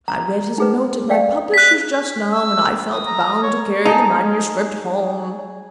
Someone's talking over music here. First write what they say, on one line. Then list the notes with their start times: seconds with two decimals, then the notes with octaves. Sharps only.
I read his note at my publisher's just now, and I felt bound to carry the manuscript home.
0.08 A#5
0.58 D#4 G#4 B4
1.10 D5 F5 G5
1.54 F#6 B6
2.32 E6
2.90 D#6
3.06 A#5
3.43 C#5
3.85 D#4 G#4 A5